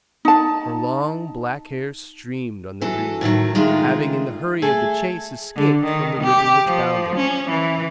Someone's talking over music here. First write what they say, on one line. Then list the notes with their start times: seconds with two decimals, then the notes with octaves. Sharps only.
Her long black hair streamed on the breeze, having in the hurry of the chase escaped from the ribbon which bound it.
0.25 D#4 A5
2.81 E3 F#3 A4
3.21 A2 D3 D#3 F#3
3.55 D#3 G#3 A3 D4 F4
4.62 A3 G#4 A4
5.56 D3
5.85 D#3
6.23 G4
6.66 F3
7.16 C#4
7.50 E3